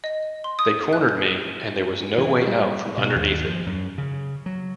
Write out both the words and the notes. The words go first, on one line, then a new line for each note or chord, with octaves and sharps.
They cornered me, and there was no way out from underneath it.
D#5
C6
D#6
F#6
E3
G3
B2
D#2
F3
F#2
C#3
F#3